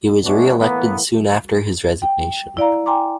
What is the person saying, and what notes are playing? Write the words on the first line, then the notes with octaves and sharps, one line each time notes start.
He was re-elected soon after his resignation.
G#3 B3 C#4 D4 E4 F#4
A2 E3 A#3 B3
G5
E4 D5 F5 A#5
G5 G#5 A#5 C6 D6